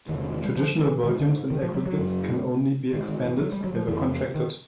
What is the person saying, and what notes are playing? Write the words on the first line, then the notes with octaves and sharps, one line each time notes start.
Traditional volumes and aggregates can only be expanded, never contracted.
E2 C3 D#3
D3
D#3
G3
F3
E3
G#2 D#3
D3
D#3
F3
F#3
F#3
F#2 C#3
G#2 D#3
D#3
E3
F#3
G3
F#3
F3
F2 C3 E3
D#3